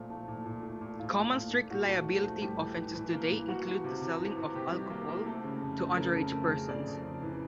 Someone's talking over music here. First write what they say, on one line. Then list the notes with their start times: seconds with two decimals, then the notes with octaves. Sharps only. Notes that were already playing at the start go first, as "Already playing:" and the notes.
Common strict liability offenses today include the selling of alcohol to underage persons.
Already playing: A#2 F3 A3 F4
0.10 A3
0.28 A#2
0.46 A#2
0.63 A3
0.81 A#2
0.99 A#2 F4
1.17 A3
1.35 A#2
1.53 A#2
1.70 A#2 F#4
1.89 A3
2.06 F3
2.23 A3
2.42 G3 G4
2.59 E3
2.77 E3
2.95 E3
3.13 A#3
3.31 E3
3.48 A#3 F#4
3.66 E3
3.84 C3
4.01 C3
4.19 E3
4.37 E3
4.55 C3 G4
4.72 G3
4.90 A#3
5.09 A#3
5.26 A3 A4
5.44 C#3
5.62 F2
5.80 A3
5.97 C#3 A#4
6.16 F2
6.21 A4
6.33 A3
6.45 G#4
6.51 C#3
6.68 F2 D5
6.87 F2
7.04 C#3
7.22 E3